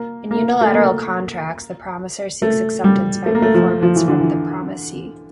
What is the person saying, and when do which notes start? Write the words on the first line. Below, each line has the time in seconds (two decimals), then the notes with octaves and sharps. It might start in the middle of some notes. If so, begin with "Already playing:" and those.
In unilateral contracts, the promisor seeks acceptance by performance from the promisee.
Already playing: A#3
0.31 A#3
0.61 A3
0.73 A#3
2.42 A3
2.84 G3
3.26 A3
3.35 A#3
3.42 A3
3.54 F3
3.82 F3
3.96 E3
4.08 D3
4.21 E3